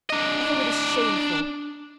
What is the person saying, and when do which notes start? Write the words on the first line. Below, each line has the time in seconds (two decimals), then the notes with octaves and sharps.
Oh! it is shameful!
0.10 D4 D#5